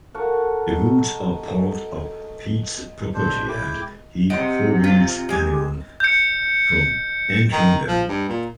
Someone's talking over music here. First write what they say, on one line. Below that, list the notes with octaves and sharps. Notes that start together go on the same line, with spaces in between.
The woods are part of Pete's property and he forbids anyone from entering them.
F#4 A4 A#4 F#5
B2 G#3 D4 C5
E4 G5 D6
C3 G4 D#5 F#5
F4
G#3 G4 G#5
G6 C#7
D#3
F3
G2
A#2